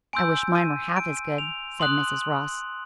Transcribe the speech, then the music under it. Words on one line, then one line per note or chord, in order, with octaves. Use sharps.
"I wish mine were half as good," said Mrs. Ross.
G#5 C6 E6 G6 D7
D#7
D7
F7
C6 D#6 F#6 F#7